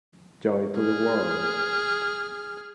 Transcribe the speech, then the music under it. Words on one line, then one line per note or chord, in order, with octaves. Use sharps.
Joy to the world.
G#4 F6